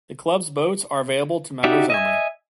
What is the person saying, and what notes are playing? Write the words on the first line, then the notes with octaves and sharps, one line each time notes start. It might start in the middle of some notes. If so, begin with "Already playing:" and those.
The club's boats are available to members only.
D#4 F#4 G4 D5 E5
D#5 E5 G#5